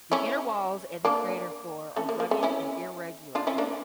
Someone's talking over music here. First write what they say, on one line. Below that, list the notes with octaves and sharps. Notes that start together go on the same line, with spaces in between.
The inner walls and the crater floor are rugged and irregular.
C#4 E4
A#3 D4
A3 C#4
A#3
A#3
A3 C#4
C#4 E4
D4 F4
C#4 E4
A#3 D4